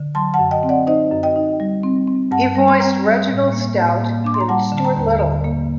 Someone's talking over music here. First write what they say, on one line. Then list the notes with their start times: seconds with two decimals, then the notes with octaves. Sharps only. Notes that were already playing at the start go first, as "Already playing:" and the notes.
He voiced Reginald Stout in "Stuart Little".
Already playing: D3
0.15 F#3 A5 C6
0.34 F#5 A5
0.39 F#2
0.51 D#5 G5
0.63 C4
0.69 D5 F#5
0.87 D#4 C5 D#5
1.12 F#2
1.23 D#5 G5
1.36 D#4
1.60 G3
1.83 C4
2.07 C4
2.31 G2 F#5 A5
2.56 G3
2.68 C6
2.80 C4 G5 A#5
3.04 G3
3.28 A2
3.52 A#3
3.76 A2
4.00 A#3
4.24 D4 D6
4.34 C6
4.41 A#5
4.48 G3 F#5 A5
4.72 D3
4.77 A5
4.85 G5 A#5
4.97 D#2
5.20 D3
5.44 A#3